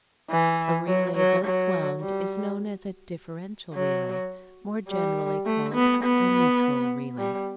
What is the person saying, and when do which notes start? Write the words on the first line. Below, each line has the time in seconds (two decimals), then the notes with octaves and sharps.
A relay thus wound is known as a differential relay--more generally called a neutral relay.
0.31 E3
0.87 F#3
1.16 F#3
1.44 F#3
2.01 G3
3.74 F#3
4.89 G3
5.46 A3
5.74 B3
6.03 B3
7.18 G3